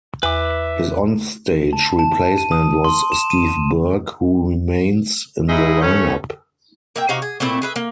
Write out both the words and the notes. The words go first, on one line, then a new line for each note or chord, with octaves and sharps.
His on-stage replacement was Steve Burke who remains in the lineup.
E2 B4 E5 D6
A5
A5
D#7
D#6
C6
E7
D#7
G#2 D#4 E4 G#4 D#5
A3 B3 C#4
A#3 E5 G5
C3 D#4 F#4 F5
G#4
A#2 A3 C4 E4
G#4 B4 E5
A#3